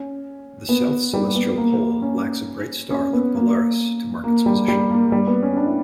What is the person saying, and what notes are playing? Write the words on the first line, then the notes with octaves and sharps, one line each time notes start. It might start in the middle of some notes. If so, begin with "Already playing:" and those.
The south celestial pole lacks a bright star like Polaris to mark its position.
Already playing: C#4
B3
G3
B3
A#3
C#4
C#4
B3
A#3
A#3
G3
G3
A#3
G3
B3
C#4
D4
E4